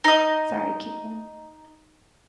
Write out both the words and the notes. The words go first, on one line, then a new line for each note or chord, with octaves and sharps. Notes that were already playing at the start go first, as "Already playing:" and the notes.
sorry, keep going.
D#4 D#5